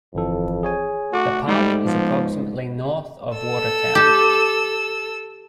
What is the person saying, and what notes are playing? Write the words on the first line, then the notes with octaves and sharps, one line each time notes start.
The park is approximately north of Watertown.
G1 F2 E3 A4
G#4 C#5 G#5
A3 F#4 A4 D6
G#2 G3
F3 B3
A4 E6
G4